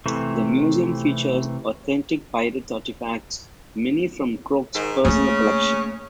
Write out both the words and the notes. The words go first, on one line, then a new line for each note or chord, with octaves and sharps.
The museum features authentic pirate artifacts, many from Croce's personal collection.
C3 E3 A3 C4
G#2 D#3
C#3 A3 A#3 C#4